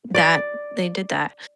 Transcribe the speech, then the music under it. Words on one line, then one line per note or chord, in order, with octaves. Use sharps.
that they did that,
D5